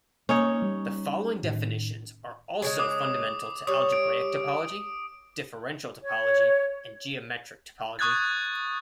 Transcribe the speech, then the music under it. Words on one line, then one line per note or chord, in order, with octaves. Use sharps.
The following definitions are also fundamental to algebraic topology, differential topology and geometric topology.
A3 A#3 C#4 D#4 C#5
G3
A2 D#3
C#3 F3 G#3
D6 D#6
G3 C#5 D#6
D7
C#5
C#6 D#6 F#6 G#6 A6